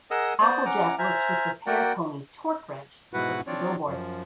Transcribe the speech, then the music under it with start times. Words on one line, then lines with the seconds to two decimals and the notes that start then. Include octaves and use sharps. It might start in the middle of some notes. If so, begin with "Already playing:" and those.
Applejack works with repair pony Torque Wrench to fix the billboard.
0.11 G#4 A#4 D#5 F#5 D#6 E6
0.41 B3 C5 D5 D#6
0.65 C#4 F#5 A#5 D6
0.99 C5 E5 G#5 A#5 F6
1.67 A#3 F#4 A#4 D5 F#5 G5
3.13 G#2 B2 E4 F#4 B4 F#5
3.47 F3 C4 D4 F4 C#5 D5
3.87 F#2 F3